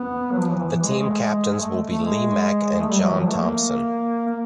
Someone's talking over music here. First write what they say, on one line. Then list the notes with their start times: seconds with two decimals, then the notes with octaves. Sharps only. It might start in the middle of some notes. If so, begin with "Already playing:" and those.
The team captains will be Lee Mack and John Thomson.
Already playing: B3
0.31 F#3
0.38 F3
0.48 E3
0.59 E3
0.69 E3
0.83 G#3
0.99 G#3
1.09 A3
1.13 G#3
1.53 G#3
1.58 A3
1.89 A3
2.03 G#3
2.79 A3
2.89 G3
2.99 F#3
3.09 E3
3.18 F3
3.28 A3
3.39 A#3
4.28 A#3